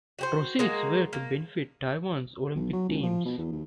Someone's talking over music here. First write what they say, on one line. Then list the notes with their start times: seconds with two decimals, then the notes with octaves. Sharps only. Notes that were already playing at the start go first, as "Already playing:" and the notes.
Proceeds were to benefit Taiwan's Olympic teams.
0.19 F#4 G4 C5
0.59 G#3 A#3 F#4
1.13 A#3
2.56 B1
2.73 F#3
2.89 C#2
3.02 F3
3.25 B2
3.38 E2
3.52 D#2